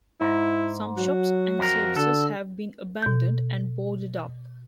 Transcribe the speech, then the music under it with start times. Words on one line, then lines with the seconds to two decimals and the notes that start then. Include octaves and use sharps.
Some shops and services have been abandoned and boarded up.
0.21 G#2 E4
0.98 F#3 F#4
1.59 F2 A#4
1.96 D3 A4
3.02 B2 G6